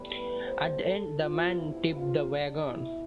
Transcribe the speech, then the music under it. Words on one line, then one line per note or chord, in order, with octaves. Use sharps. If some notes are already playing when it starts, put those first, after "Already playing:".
At the end the man tipped the wagon.
Already playing: A2 G3 B3 B4
C5
A4
G2 F3 B3 F4
E4
F4
D4
B2 B3 E4